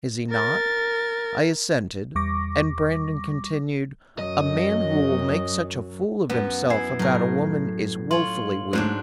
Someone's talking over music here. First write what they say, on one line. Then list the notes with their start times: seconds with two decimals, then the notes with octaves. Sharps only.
Is he not?" I assented; and Brandon continued: "A man who will make such a fool of himself about a woman is woefully weak.
0.30 A#4 A6
2.15 E2 G3 C#6 D6 A#6
4.19 F#2 F#3 D#5
6.30 F#2 B3
6.70 E4 G#5 G#6 C7
6.99 A2 F#3 A#4
8.11 F4 C#5 C6 F#7
8.73 G#2 F#3 G#3 A3 D4 C5